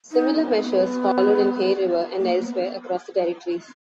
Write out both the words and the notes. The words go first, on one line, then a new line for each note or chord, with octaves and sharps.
Similar measures followed in Hay River and elsewhere across the Territories.
D#4
B3
B3
A#3
B3